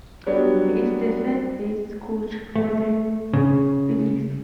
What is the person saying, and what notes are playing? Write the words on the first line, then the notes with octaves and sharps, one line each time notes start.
He is the third base coach for the Phillies.
F#3 G3 B3 D4
A3
C#3